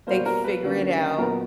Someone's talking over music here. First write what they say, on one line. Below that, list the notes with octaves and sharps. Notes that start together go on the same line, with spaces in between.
they figure it out,
B2 G3 A#3 C5
A#4
B4
D3 F#3 A#3 C#4
A#2 F#3 B3 A#4